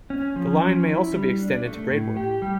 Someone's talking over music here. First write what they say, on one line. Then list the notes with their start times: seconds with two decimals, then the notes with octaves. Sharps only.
The line may also be extended to Braidwood.
0.10 C#4
0.36 F3
0.61 C#4
0.88 E4
1.13 G3
1.39 D4
1.66 A3
1.91 A2
2.17 G4
2.42 G3